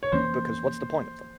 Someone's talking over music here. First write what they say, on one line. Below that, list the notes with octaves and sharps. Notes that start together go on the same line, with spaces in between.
Because what's the point of them?
C#5
F2 E3 A#3 C#4 C5